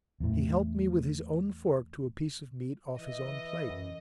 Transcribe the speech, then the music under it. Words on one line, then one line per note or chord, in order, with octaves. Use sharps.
He helped me with his own fork to a piece of meat off his own plate.
E2 A2
E3 D#5
F#2